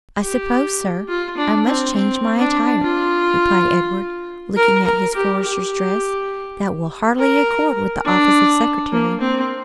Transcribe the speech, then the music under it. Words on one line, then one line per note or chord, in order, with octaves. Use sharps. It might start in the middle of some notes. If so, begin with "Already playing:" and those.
"I suppose, sir, I must change my attire?" replied Edward, looking at his forester's dress; "that will hardly accord with the office of secretary."
G4
F4
D4
C4
C4
D4
F4
A#4
A#4
G4
G4
A#4
D4
A#3
C4